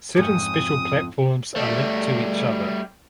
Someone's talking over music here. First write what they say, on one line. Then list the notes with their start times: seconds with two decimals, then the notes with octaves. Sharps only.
Certain special platforms are linked to each other.
0.16 F2 G#2 C#4 D#6
1.56 G3 A3